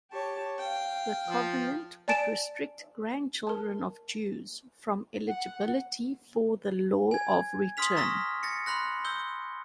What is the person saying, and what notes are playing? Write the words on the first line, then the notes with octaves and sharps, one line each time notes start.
The covenant would restrict grandchildren of Jews from eligibility for the Law of Return.
G4 C#5 A5
F5 G5
F3
D5 G#5 A5 A6 D7 E7
A#4 A5
F#5
G#5 G#6
C6 D#6 F6 B6 F7
A#5 C#6 E6 F6 A#6 B6
A6 A#6 C#7
B5 C6 F#6 A#6
E6 G6 G7